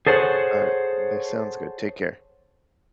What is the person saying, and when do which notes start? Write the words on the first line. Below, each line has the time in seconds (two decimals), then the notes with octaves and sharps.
Alright. That sounds good. Take care.
0.07 G#4 A4 C5 C#5 F#5